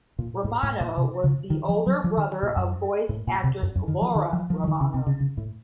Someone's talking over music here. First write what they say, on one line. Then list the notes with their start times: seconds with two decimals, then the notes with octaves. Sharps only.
Romano was the older brother of voice actress Laura Romano.
0.19 A#2
0.44 A2
0.63 A2
0.81 A#2
0.97 C3
1.24 C#3
1.50 D#3
1.69 F3
1.86 F#3
2.04 F3
2.17 D#3
2.43 A#2
2.56 F#2
3.09 A2
3.27 A#2
3.44 C3
3.62 F#2
3.75 F#2
3.88 D#3
4.01 F3
4.15 D#3
4.33 F3
4.50 F3
4.64 F3
4.68 D#3
4.81 C#3
4.94 C3
5.07 C#3
5.20 C#3
5.37 A2